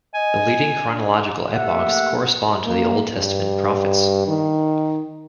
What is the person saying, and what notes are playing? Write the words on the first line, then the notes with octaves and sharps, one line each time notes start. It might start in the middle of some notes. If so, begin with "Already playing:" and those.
The leading chronological epochs correspond to the Old Testament prophets.
D#5 G#5
D4
A3 A#3 G4 E5 F#5
A#3
G2
D#3